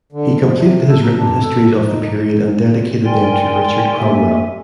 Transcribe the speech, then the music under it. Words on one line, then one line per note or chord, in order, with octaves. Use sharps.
He completed his written histories of the period and dedicated them to Richard Cromwell.
D3
F3
C3
A4
A#5
D4
A4
F3
D#4
A#4 D5 G5 G#5 C6
A3 A#3 G4 A4 E5 G#5